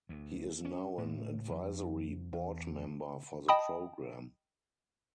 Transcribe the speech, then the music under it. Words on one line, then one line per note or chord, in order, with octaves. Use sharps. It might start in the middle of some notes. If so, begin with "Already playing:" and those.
He is now an advisory board member for the program.
D2
C#4
A2
F2
E2
D#5 G5 A5 B5 D#6